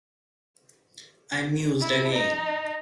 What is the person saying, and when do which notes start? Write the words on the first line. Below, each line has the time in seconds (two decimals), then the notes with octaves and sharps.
I mused again.
1.81 E4
2.12 D#4